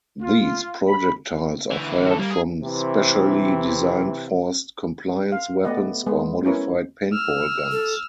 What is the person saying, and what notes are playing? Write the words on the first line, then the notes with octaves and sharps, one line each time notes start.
These projectiles are fired from specially designed forced compliance weapons or modified paintball guns.
F4
B5
D2 E3
F#4 A4
G3 A#3
G#4
C3 E3 C4
F5
A3 B3 G4 D5 D#5 F#5
G#3 B3 B4
C#4 E4 A#4 B4 C#5
E6 F6
A4